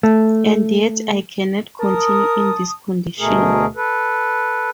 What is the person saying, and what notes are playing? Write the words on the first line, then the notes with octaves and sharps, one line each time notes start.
And yet I cannot continue in this condition!
A3
A#4 A5 D#6
D2 B2 A3 G#4 A#4
A4 B4